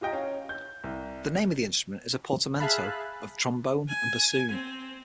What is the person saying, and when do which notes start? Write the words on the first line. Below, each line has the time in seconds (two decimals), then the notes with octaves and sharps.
The name of the instrument is a portmanteau of "trombone" and "bassoon".
0.01 F4 G4 D#5 G5 A#5
0.13 C#4 F5
0.49 G6
0.84 C2
2.59 G#4 E5 F5 A5 B5 F#6
3.88 G#5
4.51 C4